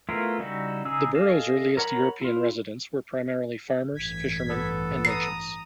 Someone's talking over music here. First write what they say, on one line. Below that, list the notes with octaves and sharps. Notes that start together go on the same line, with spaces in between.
The borough's earliest European residents were primarily farmers, fishermen and merchants.
A3 B3 E4 F4 A#4
C#3 G3 D#4 E4 F#4
C#3 D#4 G#4 E6
G#4 A4 D#5 F5 A5
A#4 C#5 F#5 A#5 B5
E4 F4
A1 G2 G#6 B6
B3 A4
A#5 D#6 C7